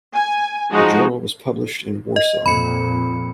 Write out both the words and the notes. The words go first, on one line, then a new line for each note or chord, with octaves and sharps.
The journal was published in Warsaw.
G#5
F3 G#3 D#4 F#4
D#5
F2 A#2 B5 C#7